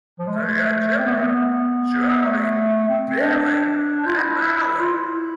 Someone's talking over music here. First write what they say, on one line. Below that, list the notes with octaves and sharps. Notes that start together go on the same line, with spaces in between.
They had children Jody, Billy and Molly.
F3
G#3
A3
C4
B3
A3
B3
A3
C4
C4
D4
F4
E4
F4
E4